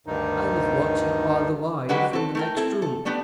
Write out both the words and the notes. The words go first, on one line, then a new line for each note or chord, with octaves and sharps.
I was watching all the while from the next room.
D2 G2 D#3 D#4
D3 F#3 G#3 F#4 G4 B4
C4 A4
A3 A#4 G5
C4 E4 A4
A4
G3 A3 B3 D4